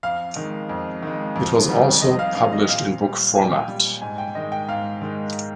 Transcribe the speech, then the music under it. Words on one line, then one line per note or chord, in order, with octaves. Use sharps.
It was also published in book format.
F2 F5
D#3 G#3
F2
D#3 G#3
F2
D#3 G3
F2 D#5
F5
D#3 G3 F5
D#5
A#2 F5
G3
A#2 G#5
G5
F5
G5
G3
G#2 G#5
G5
D#3 G#3 D#5
G5
G#2 F5
D#3 G#3